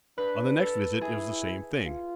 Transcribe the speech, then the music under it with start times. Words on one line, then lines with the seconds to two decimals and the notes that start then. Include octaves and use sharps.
On the next visit it was the same thing.
0.18 D4 B4
0.60 A4
1.01 E4 G#4
1.85 F4